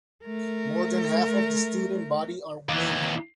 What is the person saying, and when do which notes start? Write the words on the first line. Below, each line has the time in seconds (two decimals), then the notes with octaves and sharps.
More than half of the student body are women.
0.25 A3 A#4
2.69 D#2 E3